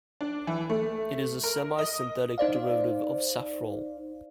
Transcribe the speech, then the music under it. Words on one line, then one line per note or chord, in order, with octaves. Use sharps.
It is a semisynthetic derivative of safrole.
D4
E3
A3
A#4
D#5
D#4 C5 D5 F5